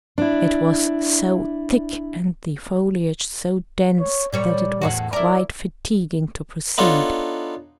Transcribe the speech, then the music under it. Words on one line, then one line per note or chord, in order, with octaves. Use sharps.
It was so thick, and the foliage so dense, that it was quite fatiguing to proceed.
D4 E4
C#5
A#2 G3 C#5 D5
E2 A2 F#4
E4 A#4 D5
B3 D4 D#4 F4 A4 C#5